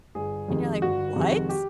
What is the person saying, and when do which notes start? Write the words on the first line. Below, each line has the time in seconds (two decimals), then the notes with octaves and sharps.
And you're like, "What?"
0.15 G1 G#4
0.48 F2 C3 D#3 G#3
0.82 G1 F#4
1.16 F2 C3 D#3 G#3
1.49 G4